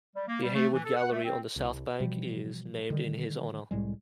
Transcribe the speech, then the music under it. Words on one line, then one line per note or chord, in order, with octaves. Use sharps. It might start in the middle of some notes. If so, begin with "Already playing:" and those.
The Hayward Gallery on the South Bank is named in his honour.
G3
A#3
G3
A3
E3
A4
F#5
A3
C4
C2
B2 E3 F3 G3
D3 D#3 G3
C2 A2 G3 G#3